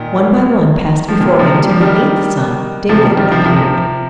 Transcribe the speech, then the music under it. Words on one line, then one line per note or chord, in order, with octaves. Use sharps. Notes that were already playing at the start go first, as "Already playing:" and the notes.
One by one passed before him till the eighth son, David, appeared.
Already playing: A#2 D#3
F3
A#2 D#3
C3 F3
G3
F3
D#3 G3
C3 F3
D#3 G3
D#3 G3
C3 F3
C3 F3